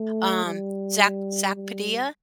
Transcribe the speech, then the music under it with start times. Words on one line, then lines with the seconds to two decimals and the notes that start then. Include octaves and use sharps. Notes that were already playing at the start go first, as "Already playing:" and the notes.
um, Zack Zack Padilla
Already playing: A3
0.45 G3
1.55 G3